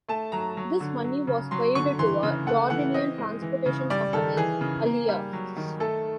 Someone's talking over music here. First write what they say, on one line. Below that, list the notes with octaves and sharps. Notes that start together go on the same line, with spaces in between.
This money was paid to a Jordanian transportation company, Alia.
A3 A5
F#3 A#5
F#3
D3
F#3
C#3
F#3 C6
D3 C#6
E3 C6
C#3
A3 F#5
E3 F#5
C4 D#5
G#3
E3
C#3
G3 D5
D#3 A4
E3 G#4
C#3
A#3
G3
F#3
D#3
A3 A4